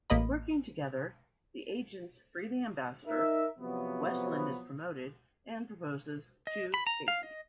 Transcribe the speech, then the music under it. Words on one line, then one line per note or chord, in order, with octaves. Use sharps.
Working together, the agents free the ambassador; Westland is promoted and proposes to Stacy.
A1 A#3 D#5 B5
D#4 A#4 E5
C3 F3 F#3 B3
D#5
B5
A#5
F5
D#5